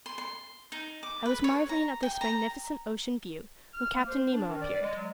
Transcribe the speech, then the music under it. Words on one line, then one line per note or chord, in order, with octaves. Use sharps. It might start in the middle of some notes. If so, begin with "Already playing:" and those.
I was marveling at this magnificent ocean view when Captain Nemo appeared.
C6
C6
D#4
D6
B4
C#5
A#5
G5
A#5
F6
A#3
C5
D4
D#3
D5
G#3
F#3